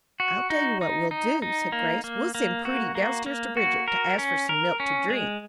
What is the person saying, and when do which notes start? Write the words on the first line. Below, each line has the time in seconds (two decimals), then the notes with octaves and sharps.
"I'll tell you what we'll do," said Grace; "we'll send Prudy down stairs to Bridget, to ask for some milk to drink."
0.20 F#4
0.50 D#4
0.81 D#4
1.11 D#4
1.42 D#4
1.72 A#3
2.04 A#3
2.35 A#3
2.65 F#4
2.95 A#3
3.26 A#3
3.57 F#4
3.88 A#4
4.18 C#4
4.49 A#4
4.80 C#4
5.10 G#3